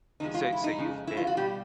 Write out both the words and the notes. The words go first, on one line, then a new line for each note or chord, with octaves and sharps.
so so you've been
E2 C3 F3 G#3 D#4
F4
E4
D#4
F2 C#3 G#3
E4
F4
F#4
B2 G3 G4